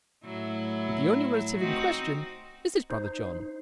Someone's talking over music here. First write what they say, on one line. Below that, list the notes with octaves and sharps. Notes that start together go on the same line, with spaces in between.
But the only relative in question is his brother John.
A2 F#3 E4
C4 D#4 F#4
D#4 C5